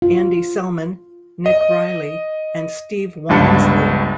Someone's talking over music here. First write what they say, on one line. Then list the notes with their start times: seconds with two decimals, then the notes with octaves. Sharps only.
Andy Selman, Nick Riley and Steve Walmsley.
0.02 F4
1.46 D#5
3.29 G1 C#2 G2 A5 B5 C#7